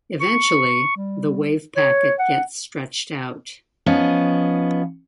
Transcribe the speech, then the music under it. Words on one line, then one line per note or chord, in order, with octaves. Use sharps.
Eventually, the wave packet gets stretched out.
C#6
G3
C#5
F#5
F3 B3 C#4 D#4